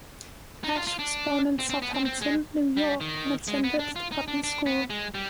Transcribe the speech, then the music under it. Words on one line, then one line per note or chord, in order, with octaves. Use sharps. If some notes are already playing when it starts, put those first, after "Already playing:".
Asch was born in Southampton, New York and attended The Putney School.
D#4
F4
F4
D4
C4
C4
B3
C4
C4
G#3
G3
D#3
G#3
B3
D4
F4
D#4
D4
D4
B3
G#3
G3